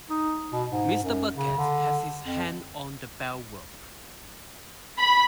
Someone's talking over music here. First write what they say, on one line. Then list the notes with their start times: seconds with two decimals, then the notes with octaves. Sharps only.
Mr. Bucket has his hand on the bell-rope.
0.10 D#4
0.52 B2
0.71 G#2
1.03 F#2
1.34 C#3
1.58 D3
2.24 F2
4.99 B5